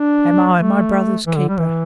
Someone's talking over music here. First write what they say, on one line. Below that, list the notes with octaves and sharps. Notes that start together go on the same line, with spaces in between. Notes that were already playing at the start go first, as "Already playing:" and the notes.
"Am I my brother's keeper?"
Already playing: D4
A3
E3
D3
G3
E3